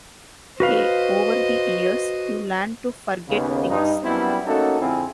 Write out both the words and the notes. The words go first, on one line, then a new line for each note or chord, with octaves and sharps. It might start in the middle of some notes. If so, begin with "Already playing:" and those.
Hey, over the years, you learn to forget things.
F#4 B4 C5 D#5 F5
D#2 C#3 B3
G2 D#4
F#2 G3 B3 C4 D4 E4
A3 A#3 C#4 D#4 F#4 A4
F2 D3 C4 E4 F4 G#4